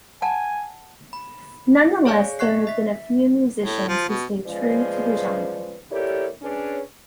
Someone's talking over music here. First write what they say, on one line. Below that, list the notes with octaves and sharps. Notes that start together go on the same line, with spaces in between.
Nonetheless, there have been a few musicians who stay true to the genre.
F#5 G#5 A5
B5
G#4 C#5 D5 F5 G#5
D#5 C#6 F#6 C7
E5 B6
A2
F3
B2
C#3 F3 G#3 B4 C5 D5
E4 G4 A4 A#4 C#5 D5
C#4 D4 G#4 B4 C#5